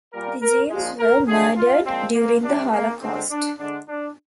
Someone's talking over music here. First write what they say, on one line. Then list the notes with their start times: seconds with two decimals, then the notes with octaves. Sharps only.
The Jews were murdered during the Holocaust.
0.13 A#2 G3 A#4
0.42 A#4
0.70 A#2 F3 G#3
0.99 A#4
1.28 D3 F3 G#3 G#4
1.57 F4
1.85 A#2 F3 G#3 C4
2.15 A#3
2.44 C3 G3 D4
2.73 A#3
3.02 D3 G#3 C4
3.30 D4
3.59 D3 G#3 D4
3.88 D4